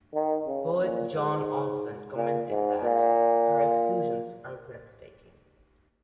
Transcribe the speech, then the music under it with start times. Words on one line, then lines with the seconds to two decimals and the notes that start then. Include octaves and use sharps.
Poet John Olson commented that "her exclusions are breathtaking".
0.14 D#3
0.47 C#3
0.81 A#2
1.15 G#2
2.16 A#2
2.50 G#2
2.84 A#2